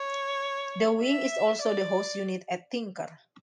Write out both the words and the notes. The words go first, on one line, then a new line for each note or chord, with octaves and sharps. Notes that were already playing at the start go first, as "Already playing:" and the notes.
The wing is also the host unit at Tinker.
Already playing: C#5
E5
D5